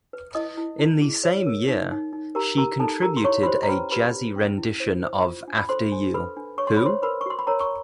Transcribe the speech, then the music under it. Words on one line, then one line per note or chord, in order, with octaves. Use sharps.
In the same year, she contributed a jazzy rendition of After You, Who?
B4
E4 D#5 D#6
E4
E4
G#4
C#5
A#4
D#4
D#4
D#4
G4 A#4 A#5
G4 A#4 A#5
D#4 A4 A5
G4 A#4 A#5
C6
E4 C#5 C#6
B5
G4 C5 C6
A#5
C#4 B4 B5
G4 B4 B5
G4
C#4
E4
C5
C5
F4
D4
B5
A4 C5 C6
D4
A4 B4 B5
D4
C#5 C#6
C6
B5
C5 C#5 C6
A#4 B4 B5
C#6
F#4 C6
B5
A#4 C#5 A#5
C#6